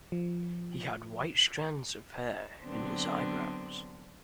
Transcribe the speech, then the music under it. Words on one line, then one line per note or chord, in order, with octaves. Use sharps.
He had white strands of hair in his eyebrows.
F3
D3 F#3 B3 C4 D4